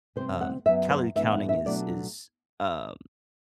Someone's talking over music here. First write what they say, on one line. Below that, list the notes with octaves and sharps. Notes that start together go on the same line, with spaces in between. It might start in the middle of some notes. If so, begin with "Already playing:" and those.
um, calorie counting is is, um,
C3 G3 C4 C5
F#5
F#2 F#3 B3 E5
C5
A2 E3 B3 D4 E5
F#5
E5
B2 F#3 A3 D4 D5